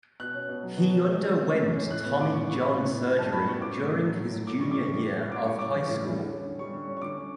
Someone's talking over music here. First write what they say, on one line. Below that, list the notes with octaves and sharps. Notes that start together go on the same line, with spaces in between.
He underwent Tommy John surgery during his junior year of high school.
B2 F#6
C#4
B2
F#3
B2
C#4
E3
C#4
E3
A3
E3
C#4
A2 F#6
B3
A2 D6
E3 C#6
A2 C#6
B3 B5
A2
B3
A2
G3 A5
A2 B5
B3 C#6
A2 D6
A3
A2
F#3
A2
A3
A2 D6
G3 C#6
A2 D6
E3
A2
G3
A2 D6
G3 C#6
C#4 D6
E3
A2
G3
D3
C#4
D3
G3 C#6
D3
C#4
C#6
D3 D6
C#4